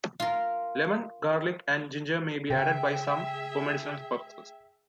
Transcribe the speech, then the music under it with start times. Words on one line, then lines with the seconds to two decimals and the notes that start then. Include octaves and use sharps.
Lemon, garlic and ginger may be added by some for medicinal purposes.
0.20 F4 A#4
2.50 C#3 G#4 E5 G5